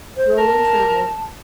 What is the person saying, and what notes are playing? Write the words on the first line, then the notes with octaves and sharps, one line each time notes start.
Rollin trembled.
C5
A#4 A5